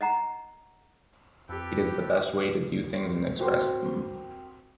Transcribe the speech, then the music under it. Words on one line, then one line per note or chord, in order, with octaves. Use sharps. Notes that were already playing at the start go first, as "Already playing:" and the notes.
It is the best way to do things and express them.
D#5 F#5 A#5
F2 G4 A4 B4
C4 F#4 G4 A#4 C6